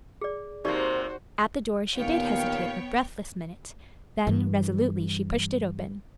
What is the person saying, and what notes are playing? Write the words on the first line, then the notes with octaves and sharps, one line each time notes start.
At the door she did hesitate a breathless minute, then, resolutely, she pushed it open.
G#4 D5
C3 A#3 D#4 F#4 G4 C5 D5
D#2 A#2 B3 C#5 F5 G5
G2 E3